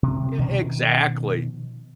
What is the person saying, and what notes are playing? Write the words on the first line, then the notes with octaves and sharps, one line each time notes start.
Yeah, exactly.
C3
B2 D#3 F3 C#4